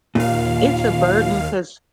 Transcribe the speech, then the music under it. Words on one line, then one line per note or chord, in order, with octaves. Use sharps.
it's a burden, 'cause
D#2 A#2 F5